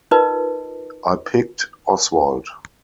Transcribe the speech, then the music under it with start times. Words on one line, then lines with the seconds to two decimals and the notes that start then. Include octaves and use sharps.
I picked Oswald.
0.11 D#4 F4 A#4 B4 D#5